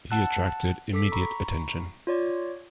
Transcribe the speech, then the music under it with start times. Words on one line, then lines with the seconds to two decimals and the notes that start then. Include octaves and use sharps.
He attracted immediate attention.
0.11 F#5 A5 E6 F#6
0.93 A4 D6 B6
1.12 A#5 B5 C#6
2.07 F4 C#5 D5